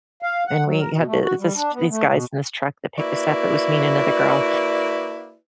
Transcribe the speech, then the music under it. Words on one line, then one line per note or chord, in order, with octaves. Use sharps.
and we had the this these guys in this truck that picked us up. It was me and another girl,
F5
F#5
F#3
A#4
B2
A3
F#4
G3
D4
B3
A3
B2
A#3 E4 F#4 B4 D5